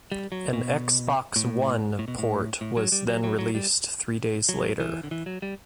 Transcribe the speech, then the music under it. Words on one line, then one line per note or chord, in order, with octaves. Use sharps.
An Xbox One port was then released three days later.
G3
F#3
B2
A2
A2
B2
A2
A2
F#3
G3
F#3
F#3
F#3
G3
F#3
E3
D3
E3
F#3
G3